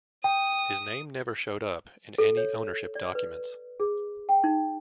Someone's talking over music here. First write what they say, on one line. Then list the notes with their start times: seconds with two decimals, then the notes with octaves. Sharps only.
His name never showed up in any ownership documents.
0.24 G5 D#6
2.18 A4
2.37 C#5
2.95 D5
3.15 B4
3.80 G#4
4.29 G5
4.44 D#4